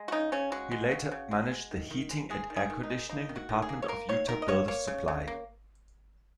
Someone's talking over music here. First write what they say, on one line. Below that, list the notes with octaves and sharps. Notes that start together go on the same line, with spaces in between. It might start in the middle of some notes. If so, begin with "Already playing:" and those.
He later managed the heating and air conditioning department of Utah Builders Supply.
Already playing: G#3
F#4
C#3 D#4
C#3 C#4
G#3 F#4
G#3
C#3
C#3
G#3
G#3
D#3
D#3
G#3
G#3 G#4
D#3
G#4
D#3
D#4
G#3
A#3 D#4
D#3
F#4
D#3
G#4
A#3
C#5
A#3 A#4
D#3 C#5
D#3 A#4
D#5
A#3 C#5
A#3 C#5
C#3
C#3
A#3